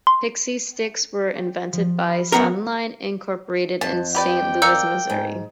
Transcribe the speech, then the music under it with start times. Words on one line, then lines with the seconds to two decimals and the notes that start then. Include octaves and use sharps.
Pixy Stix were invented by Sunline Incorporated in Saint Louis, Missouri.
0.07 C6
1.36 G4
1.73 F3
2.06 B5 F6
2.32 F#2 B3 A#4
3.81 F2 A5
4.15 G4 B4 D5 G5
4.62 A#4 D5 F5 E6 G6 C#7
5.10 G#2